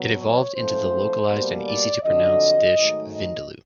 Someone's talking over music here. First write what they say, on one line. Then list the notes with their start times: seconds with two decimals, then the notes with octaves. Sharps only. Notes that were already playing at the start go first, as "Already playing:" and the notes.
It evolved into the localized and easy-to-pronounce dish "vindaloo".
Already playing: B2 F#3 B3
0.19 C#5
0.55 G#2 F3 A3 C4 C5
1.29 B2 G3 A#3
1.66 D5
2.03 F2 D3 F#3 D#5
2.76 G#2 D#3 F#3 A3
3.13 D#5